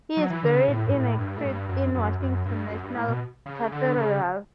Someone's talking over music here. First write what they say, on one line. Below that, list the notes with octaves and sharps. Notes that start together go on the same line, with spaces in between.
He is buried in a crypt in Washington National Cathedral.
F#3
E3
D3
C#3
A2
G2
A2
G2
A2
G2
F#2
F#2
F#2
G2
F#2
G2
A2
B2
C#3
D3
C#3